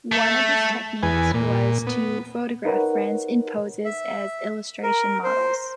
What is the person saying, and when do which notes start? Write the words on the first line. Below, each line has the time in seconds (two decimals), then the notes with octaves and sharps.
One of his techniques was to photograph friends in poses as illustration models.
0.12 A3
1.03 E2 B4 G#5
1.34 A#2
1.87 B3
2.65 D#4 A#4 B4 C#5 F#5
3.85 E5
4.83 A#4
5.24 C5